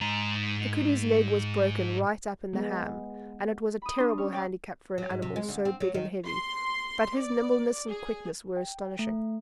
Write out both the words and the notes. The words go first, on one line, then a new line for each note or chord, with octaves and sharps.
The koodoo's leg was broken right up in the ham, and it was a terrible handicap for an animal so big and heavy, but his nimbleness and quickness were astonishing.
G#2 A#5
G#3 B3
B5 D#6
D4 C6
C#4
C#5 D5 F5 G5
F#3
G#2
C3
G#3
D2
C4
F#3
D#3
C6
D5
G#4
G5
A3